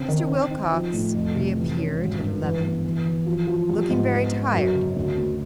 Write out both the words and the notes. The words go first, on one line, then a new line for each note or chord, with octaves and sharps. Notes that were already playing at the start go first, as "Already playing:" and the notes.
Mr. Wilcox reappeared at eleven, looking very tired.
Already playing: C#3 C4
D#3
C4
D#4
F3
A2
F2
C3
E3
C#4
G#1
G2
E3
B3
E3
E3
F3
F3
G3
G#2
B3
B3
F#2
C#3
D2
D2